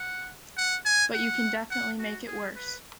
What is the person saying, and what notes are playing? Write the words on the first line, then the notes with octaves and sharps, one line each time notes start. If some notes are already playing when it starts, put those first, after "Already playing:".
But you can definitely make it worse.
Already playing: F#5
F#5
G#5
F#5
F#5
F#4
G#4
B4